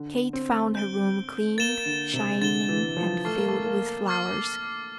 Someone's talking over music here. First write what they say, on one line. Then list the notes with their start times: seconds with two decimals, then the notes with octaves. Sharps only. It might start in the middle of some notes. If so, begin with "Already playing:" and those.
Kate found her room cleaned, shining, and filled with flowers.
Already playing: D3
0.33 C4
0.75 G6 D7 G7
1.58 A#3 A6 E7 G7
1.86 D3
2.14 C3
2.41 D3 A6 E7 G7
2.69 E3
2.97 F3
3.25 A3 D6 F6 A6 C7
3.36 A#3
3.48 A3
3.66 A#3
4.08 D6 F6 A6 C7